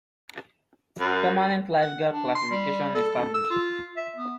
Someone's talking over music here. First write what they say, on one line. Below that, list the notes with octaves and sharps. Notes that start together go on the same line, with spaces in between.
Permanent Lifeguard Classification established.
F#2
F#5
D4
C6
G3
A4
E6
F4
E5
B3